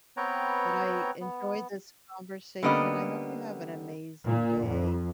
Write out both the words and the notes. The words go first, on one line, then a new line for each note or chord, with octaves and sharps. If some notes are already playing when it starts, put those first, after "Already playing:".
But I enjoyed this conversation. I hope you have an amazing day.
B3 C4 B4 C#5 G5 A#5
B3
D3 G3 A#3 B3 C#4 D#5
A#2
F2